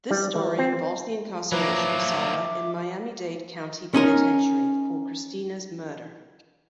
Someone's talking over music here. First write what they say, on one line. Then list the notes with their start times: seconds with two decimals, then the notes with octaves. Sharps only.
This story involves the incarceration of Sara in Miami-Dade county penitentiary for Christina's murder.
0.11 G3
0.35 E3
0.59 C4
1.52 F3 F#3 A#3 B4 E5 D6
3.94 C#4 D#4 A#4